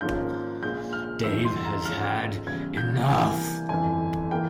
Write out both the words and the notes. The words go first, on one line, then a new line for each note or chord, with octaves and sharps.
Dave has had enough.
G#1 G#2 F3 A#3 C#4 G6
A#1 A#2 G#3 G6
F6
G1 F2 E3 G3 E6
C6
A#5
G#2 F3 G#3 C#4 F6
E2 C#3 G3 G#6
G6
C2 C3 E3 A#3 G#5
G1 F2 E3 G#5
E3 A#3 G5